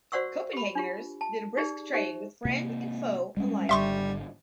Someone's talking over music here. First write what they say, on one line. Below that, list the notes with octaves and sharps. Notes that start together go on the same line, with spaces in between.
Copenhageners did a brisk trade with friend and foe alike.
F#4 C5 D5 F#5 C#6 E6
G4 B5
D4 F4 G4
A5
D#4 G4 G#4 D5
D#4 G4 C5 E5
C3 A#3 C4
G3 G#3 C#4
G#1 D3 G3 E5 C6 C#6